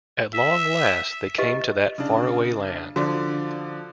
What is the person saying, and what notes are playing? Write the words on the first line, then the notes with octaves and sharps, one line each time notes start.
At long last they came to that faraway land.
E5
G4 B4 D#5
C#3 D4
D3 F3 F#4 D5